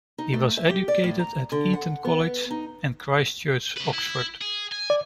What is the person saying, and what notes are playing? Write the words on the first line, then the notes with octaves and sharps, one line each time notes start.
He was educated at Eton College and Christ Church, Oxford.
D#4
A3
E5
G4
D5
A2
A#5
D3
F#5
B3
D#4
C#3 B4
E4
G#4
G#5
D5